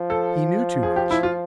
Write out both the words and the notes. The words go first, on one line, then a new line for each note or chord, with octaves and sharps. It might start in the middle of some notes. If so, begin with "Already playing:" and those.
He knew too much.
Already playing: F3
A4
G#4
G4
E4
F4